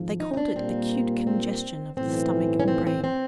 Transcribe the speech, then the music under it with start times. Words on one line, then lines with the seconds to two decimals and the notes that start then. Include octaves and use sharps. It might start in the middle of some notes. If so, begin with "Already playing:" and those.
They called it acute congestion of the stomach and brain.
Already playing: G#1 G#2 F3
0.20 D#4
0.34 D#4
0.37 D4
0.56 A#2 G3 A#3 C4
1.27 C4
1.97 B1 A2 E3 C4
2.60 C#4
2.68 C4
2.87 C4
3.04 C4